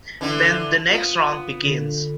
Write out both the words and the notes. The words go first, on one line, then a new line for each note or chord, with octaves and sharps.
Then the next round begins.
D3 E3 C#4 D4
B3 F4
D3